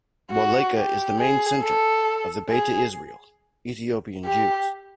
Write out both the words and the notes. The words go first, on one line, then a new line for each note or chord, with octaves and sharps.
Wolleka is the main centre of the Beta Israel - Ethiopian Jews.
F#4
G4
G#4
A4
G#4
G4